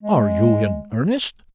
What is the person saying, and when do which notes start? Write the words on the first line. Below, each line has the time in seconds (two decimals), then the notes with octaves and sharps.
"Are you in earnest?"
0.03 G#3